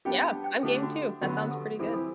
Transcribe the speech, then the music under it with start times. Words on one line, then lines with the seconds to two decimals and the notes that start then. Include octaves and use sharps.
Yeah, I'm game too. That sounds pretty good.
0.05 G3 B3 D4 G4 G5
0.25 A5
0.44 G5
0.63 D3 A3 D4 G4 A4
0.83 F#4
1.02 F#4
1.22 D3 F#3 B3 G4
1.51 A4
1.79 E3 G3 C4 E4 G4 A4
1.94 A4